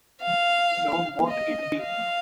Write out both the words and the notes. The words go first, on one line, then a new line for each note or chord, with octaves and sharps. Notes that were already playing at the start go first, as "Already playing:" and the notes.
So mote it be.
F5
D#5
F5